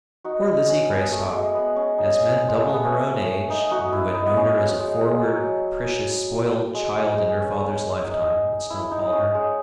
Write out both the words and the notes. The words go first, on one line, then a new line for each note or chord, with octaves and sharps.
Poor Lizzie Greystock!--as men double her own age, and who had known her as a forward, capricious, spoilt child in her father's lifetime, would still call her.
D#4 F#4
D#4
C#4
B3
A3
G#3
B3
C#4
D#4
G#3
A3
B3
C#4
D#4
D#4 F#4
E4
D#4
B3
C#4
G#3
G#3
F#3
G#3
G#3
G#3
C#4
D#4
E4
D#4
C#4
G#3